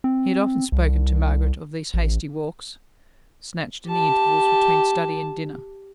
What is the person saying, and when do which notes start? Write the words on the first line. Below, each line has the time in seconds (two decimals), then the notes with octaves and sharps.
He had often spoken to Margaret of these hasty walks, snatched in the intervals between study and dinner.
0.04 C4
0.72 C2
1.94 A1
3.88 G4 A5